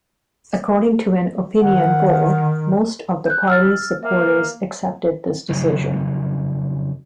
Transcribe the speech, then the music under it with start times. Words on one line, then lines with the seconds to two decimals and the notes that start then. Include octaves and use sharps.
According to an opinion poll, most of the party's supporters accepted this decision.
1.61 D#3 F#5
3.26 F#6 G6
3.48 E6 F6 A6
4.03 A#3 E5
5.49 F2 C#3 F#3 D#4